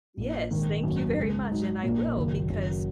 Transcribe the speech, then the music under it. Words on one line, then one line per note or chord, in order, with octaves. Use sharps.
yes, thank you very much, and I will, because,
A#1 A#2 A#3
A#1 G#2 D#3
G#1 F#2 D#3 F#3 A#3
C#2 C#3 G#3
G#2 F#3 D#4
A#1 A#2 A#3
F#1 F#2 D#3 F#3 A#3
F#1 F#2 D#3 F#3